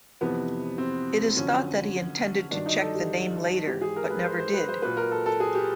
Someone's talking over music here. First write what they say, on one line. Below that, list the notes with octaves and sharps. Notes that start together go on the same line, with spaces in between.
It is thought that he intended to check the name later, but never did.
F2 C3 E3 B3
C4
F#2 D3 F3 C#4
G2 D#3 F#3 D4
D#4
A4
G4
G#2 E3 G4
G#4
A#4
B4
C5
C5
B4
C5
A#2 F#3 B4
A#4
A4
A4
G#4
G4